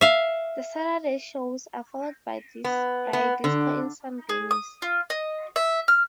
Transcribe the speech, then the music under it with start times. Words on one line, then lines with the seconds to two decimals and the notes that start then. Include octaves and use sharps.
The Saturday shows are followed by a disco in some venues.
0.01 E5 F5
2.64 B3
3.13 B3
3.44 D3
4.29 G#4
4.51 D#6
4.82 F4
5.10 D#5
5.56 E5
5.88 F6